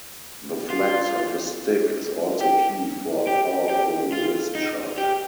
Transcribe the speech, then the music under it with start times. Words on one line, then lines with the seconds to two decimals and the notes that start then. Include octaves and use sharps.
The flex of a stick is also key for a powerful wrist shot.
0.70 F4
2.41 G4
3.27 G4
3.69 G4
4.12 F4
4.55 D#4
4.98 G4